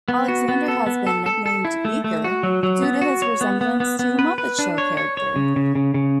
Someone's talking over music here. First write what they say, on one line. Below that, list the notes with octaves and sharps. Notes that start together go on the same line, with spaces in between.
Alexander has been nicknamed "Beaker" due to his resemblance to "The Muppet Show" character.
B3
F#4
B3
A4
B3
A4
A4
A4
E4
A3
A3
F#4
F#3
F#3
B3
F#4
C#5
B3
B3
B3
B3
B4
B4
D4
C#5
C#5
C#5
C#3
C#3
C#3
C#3